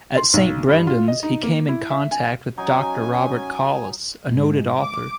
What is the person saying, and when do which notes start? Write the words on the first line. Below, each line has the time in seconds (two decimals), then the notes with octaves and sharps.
At Saint Brendan's he came in contact with Doctor Robert Collis, a noted author.
0.17 C6
0.34 B1
0.68 G2
0.87 F4
1.08 D#5
1.23 D#4
1.43 A#3
1.68 E4
1.90 E5
2.11 G#5
2.58 F#3 C#4 D#4 G#5
4.28 G#2
4.81 D6